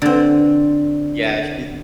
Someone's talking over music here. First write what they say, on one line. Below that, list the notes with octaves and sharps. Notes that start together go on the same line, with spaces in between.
yeah, she
D3 C4